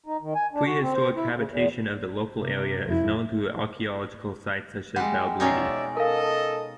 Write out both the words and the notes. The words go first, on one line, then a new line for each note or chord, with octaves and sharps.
Prehistoric habitation of the local area is known through archaeological sites such as Balbridie.
D#4
D#3
G#5
D4
F#4
C4
C5
E4
C#3
E2
C3
F2 E4
G3 G#3 F#5
B2 C#4 D#4 C#5 D5 E5
A4 A#4 D#5 F5